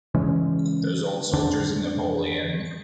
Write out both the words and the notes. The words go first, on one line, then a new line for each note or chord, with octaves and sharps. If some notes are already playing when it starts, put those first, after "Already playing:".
Those old soldiers of Napoleon!
C#3 E3 G#3 C#4
F2 D3 D4